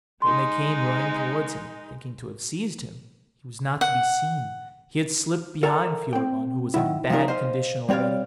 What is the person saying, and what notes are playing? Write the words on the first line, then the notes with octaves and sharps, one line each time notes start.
But when they came running towards him, thinking to have seized him, he was not to be seen; he had slipped behind Furibon, who was in a bad condition already.
G#3 D#4 C6
F#5
A4 A#4 D5 E5 G#5 A#5
C4 G5
D#3 F3 F#3 E4
F3 G3 A#3 D#4 A#4
C5 D#5 F5
G3 C4 C#5 D5 F5